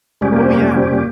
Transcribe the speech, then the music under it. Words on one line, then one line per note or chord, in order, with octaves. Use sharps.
Oh, yeah,
F2 C3 G3 G#3 C#4 G4
A#3
C4
A#3
A#3
C4
A#3